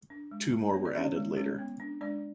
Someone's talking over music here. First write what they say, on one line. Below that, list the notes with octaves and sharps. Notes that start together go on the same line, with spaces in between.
Two more were added later.
D4
G#3
G#3
B3 C#5
D5
C#4 D4 C#5
G#3
G#3 C#4 C#5
B3
D4
G#3 D4 D5